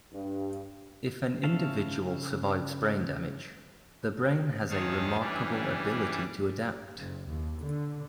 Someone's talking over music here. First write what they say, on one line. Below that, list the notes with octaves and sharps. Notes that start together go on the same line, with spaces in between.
If an individual survives brain damage, the brain has a remarkable ability to adapt.
G2
C#3 C#4 E5 F5 A5
E2 D#3 G#4 C#5 F5 A5
E3 G3 C#4 D4
F#1
D#2
D3